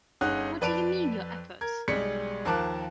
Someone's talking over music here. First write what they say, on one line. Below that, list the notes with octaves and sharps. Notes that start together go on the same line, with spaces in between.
What do you mean, your efforts?
G1 C#4 D#4 G#4 F#5 F#6
F2 B4 D5 A5 D7 F7
A#4 G#6
B1 G3 G#3 B6 C#7
D#2 F3 A#4 A5 D6 F#6